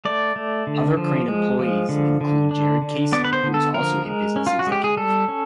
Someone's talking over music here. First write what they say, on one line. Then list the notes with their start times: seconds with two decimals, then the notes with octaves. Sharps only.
Other Crane employees include Jared Casey, who is also a business executive.
0.05 A3 D5
0.36 A3
0.67 D3
0.97 F3
1.28 G#3
1.59 F3
1.89 D3
2.21 D3
2.51 D4
2.82 D3
3.12 B3 D5
3.24 B4
3.33 C5
3.43 D3
3.54 A4
3.74 F3 A#4
4.05 G#3
4.36 C#4
4.47 F4
4.59 F#4
4.67 G#3
4.72 G4
4.84 G#4
4.97 G3 A4
5.28 C#4